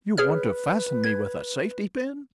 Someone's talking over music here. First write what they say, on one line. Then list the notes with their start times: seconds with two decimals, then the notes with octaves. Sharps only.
"You want to fasten me with a safety-pin?"
0.17 G#4 B4 C#5 F6
1.04 G#6